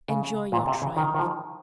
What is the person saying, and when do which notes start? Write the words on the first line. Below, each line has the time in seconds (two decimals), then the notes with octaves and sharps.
Enjoy your triumph!
0.09 C#3
0.52 A#2
0.67 C3
0.82 C#3
0.97 D#3
1.15 D#3
1.19 F3